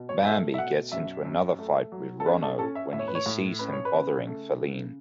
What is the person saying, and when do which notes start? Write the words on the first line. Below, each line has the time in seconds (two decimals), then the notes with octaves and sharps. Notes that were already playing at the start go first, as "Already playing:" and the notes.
Bambi gets into another fight with Ronno when he sees him bothering Faline.
Already playing: B2
0.09 C#5
0.25 A3 E5
0.54 E5
0.58 B2 F#5
0.92 F#2 E5
1.25 F#2
1.59 A3
1.92 F#3
2.20 A4
2.26 C#4 B4
2.42 A4
2.59 C#4 A4
2.75 E5
2.93 A2 E5
2.99 C#5
3.08 B4
3.15 C#5
3.26 A2
3.59 C#4 B4
3.73 C#5
3.85 B4
3.94 C#3
4.27 A3
4.59 C#3